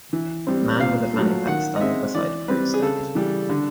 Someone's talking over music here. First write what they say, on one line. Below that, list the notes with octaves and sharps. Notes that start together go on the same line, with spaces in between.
Man with a fanny pack standing beside fruit stand.
E3
G3 C4
A#2 F5
F#3 A3
D#3 F#5
D#5
G#3 C4 E5
E3 D5
G3 C4 B4
G#4
C#3 A4
E3 G3
D3